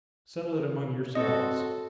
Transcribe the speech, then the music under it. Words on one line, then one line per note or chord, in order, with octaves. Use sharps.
'Settle it among yourselves.
C4 F#4 A4 C#5 D#5